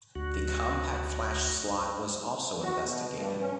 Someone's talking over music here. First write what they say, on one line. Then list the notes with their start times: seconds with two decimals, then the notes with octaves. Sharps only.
The CompactFlash slot was also investigated.
0.16 D2 F#4
2.63 F#4
2.85 B2
3.15 G2
3.41 C#4